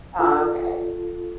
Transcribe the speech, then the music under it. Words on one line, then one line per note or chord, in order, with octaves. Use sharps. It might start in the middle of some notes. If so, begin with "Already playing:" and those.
Oh, 'kay.
F4 A4